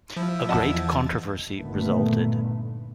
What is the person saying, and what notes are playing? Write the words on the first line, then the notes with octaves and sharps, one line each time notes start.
A great controversy resulted.
F3 E4
E2 D#5 F#5 A5 G#6 A6
G1 A#2 D3 D#3 A3 B3